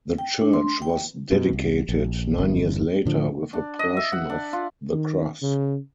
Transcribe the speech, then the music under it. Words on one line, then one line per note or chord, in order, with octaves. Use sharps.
The church was dedicated nine years later, with a portion of the cross.
G5
D4
C6
G5
F#2 B2
C2
A#1
G1 E2
A2 D3 F3
D4
D#5
E5
F#5
D4
F4
D#3
C#3